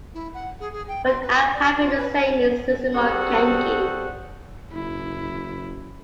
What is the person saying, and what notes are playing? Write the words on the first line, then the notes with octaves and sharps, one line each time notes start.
But I am happy to say it means "Itsumo Genki".
E4
F#5
G#4
G#4
G5
C6
B4
D6
D5
F4
B4
G3 C4 F#4 G#4 A4 F#5
F#1 E4